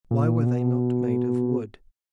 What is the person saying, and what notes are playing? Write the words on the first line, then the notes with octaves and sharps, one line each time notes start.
Why were they not made of wood?
A#2
B2